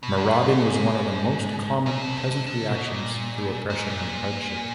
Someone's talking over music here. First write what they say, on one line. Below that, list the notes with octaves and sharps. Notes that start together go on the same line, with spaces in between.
Marauding was one of the most common peasant reactions to oppression and hardship.
B2
D3
B2
A#2
G#2
A#2
B2
D3
D3
D3
B2
A#2
A#2
G#2
A#2